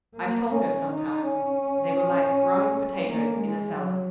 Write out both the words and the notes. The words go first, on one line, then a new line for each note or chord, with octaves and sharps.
I told her sometimes they were like growing potatoes in a cellar.
A#3
C#4
D#4
C#4
A#3
G#3
F#3